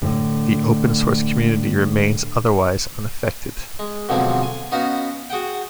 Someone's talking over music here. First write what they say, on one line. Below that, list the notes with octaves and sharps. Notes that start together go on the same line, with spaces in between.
The open source community remains otherwise unaffected.
A2 D3
G#3
B2 D3 F3 F#3 G#3 C4
G#5
B3 C#4 D#4 F#4 F5 F#5
F#4 G#4 F#5 G5